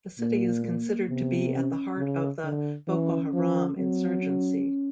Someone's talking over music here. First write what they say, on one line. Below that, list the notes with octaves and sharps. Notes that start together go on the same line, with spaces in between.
The city is considered to be at the heart of the Boko Haram insurgency.
A#2 A#3
A#3
C3 B3
C#4
C#3
D3
E3 C#4
F3
F#3 C4
C#4